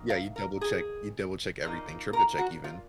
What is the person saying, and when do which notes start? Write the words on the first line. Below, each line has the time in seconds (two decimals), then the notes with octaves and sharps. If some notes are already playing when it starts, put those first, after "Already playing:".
Yeah, you double check you double check everything, triple check even.
Already playing: D#3 A#3
0.10 F5
0.36 A#4
0.61 G#4
1.63 A#2 F3 A#3 D#4
2.13 A#4
2.38 F#4
2.64 F4